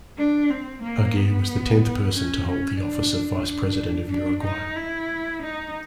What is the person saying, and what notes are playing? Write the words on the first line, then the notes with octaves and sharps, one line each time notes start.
Aguirre was the tenth person to hold the office of Vice President of Uruguay.
D4
C4
A#3
B3
C#4
C#4
D4
D4
D4
D#4
E4
D#4